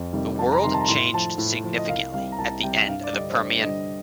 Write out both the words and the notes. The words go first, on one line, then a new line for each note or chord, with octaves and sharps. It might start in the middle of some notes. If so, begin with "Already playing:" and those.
The world changed significantly at the end of the Permian.
Already playing: F2
C3 D#3 G3
F2 A5
A#5
C3 D#3 G3 C6
A5
A#5
A2 C6
F3 A5
A2
F3
D#5
C2 F5
C3 G3 F5
A#5
C2 A5
C3 G3 G5
G2 F5
D5
D3 G3 D#5
C5
G2 D5
D3 G3 D#5